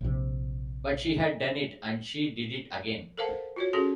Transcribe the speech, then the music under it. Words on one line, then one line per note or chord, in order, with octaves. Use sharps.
But she had done it, and she did it again.
A#1 C3
A4 A#4 C5 F5 F#5 A5
F4 F#4 C#5
C#4 F#4 G#4 A4 C6